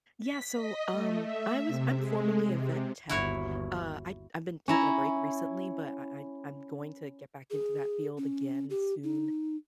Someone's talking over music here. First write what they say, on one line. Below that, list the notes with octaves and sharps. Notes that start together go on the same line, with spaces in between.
Yeah, so, um, I was I'm formerly a vet tech, uh, I I've been taking a break recently, but I I I'm going to get back into that field again soon.
B6
D#5
A3
E5
C3
G#3
C3
G1 D#2 E4 F#4 C#5
C#4 E4 A#5
G#4
C#4
G4
D#4